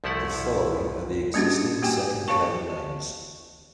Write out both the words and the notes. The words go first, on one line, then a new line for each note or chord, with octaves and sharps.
The following are the existing second level names.
C2 F3 A3 E4 F#5
G3 A#3 C#4 D4 F#4 G4
A#3 F#4 G4 G5 G#5
G4 C#5 F5 A5 C#6